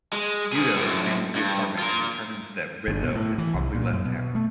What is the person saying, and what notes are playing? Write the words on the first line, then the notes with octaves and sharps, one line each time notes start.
Udo examines the apartment and determines that Rizzo has probably left town.
G#3
G#4 A#4
F#2 A2
G2
F4 A#4
G1
B2
A2
E3
C2
A#2
F#2
B2
A3